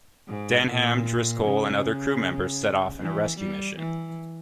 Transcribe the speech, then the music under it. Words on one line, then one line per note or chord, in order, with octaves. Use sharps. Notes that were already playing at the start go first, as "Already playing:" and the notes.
Denham, Driscoll, and other crew members set off in a rescue mission.
G#2
A#2
C#3
E3
G3
E3